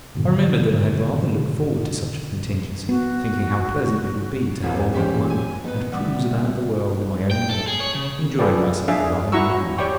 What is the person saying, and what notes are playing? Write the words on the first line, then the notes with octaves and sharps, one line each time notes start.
I remembered that I had rather looked forward to such a contingency, thinking how pleasant it would be to have all that money, and cruise about the world in my own yacht, enjoying myself as I knew how.
F2 G#2 B2 D3 D#3
B3 F#4
E1 A1 E3 C4
G#2 E3 C#4 G4 C5
G#5
B3 D#4 B4
G3 E5 F#5
G5
A4
G#4
C#5
C#3
F4 G#4 A4 B4 D5 G5
D4 G#4 D5 E5 F5
E4 F#4 A#5 C#6 E6
F#4
G4 C#5 D5 G5 C#6